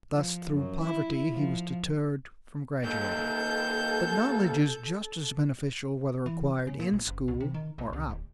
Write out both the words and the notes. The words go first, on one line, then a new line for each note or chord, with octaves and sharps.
Thus through poverty he was deterred from graduating, but knowledge is just as beneficial, whether acquired in school or out.
F3
F#2
E4
F3
A#2 D#3 A4 G6
E3
C#3
A#2
A#1
F#1
C2
C3
D#3
A#1
C2
D1